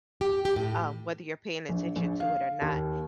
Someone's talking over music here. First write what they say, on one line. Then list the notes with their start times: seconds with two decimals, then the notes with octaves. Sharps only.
um, whether you're paying attention to it or not.
0.21 G4
0.45 G4
0.56 A2
1.69 A#1
1.96 A#1
2.20 F5
2.61 D#2